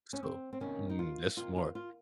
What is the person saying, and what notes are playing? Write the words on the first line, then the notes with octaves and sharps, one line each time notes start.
So, mm, that's smart.
C#4
C4
C4
C3 D#3 A#3 C#4
D#4
F4
C3 D#3 A#3 F4
F4
F4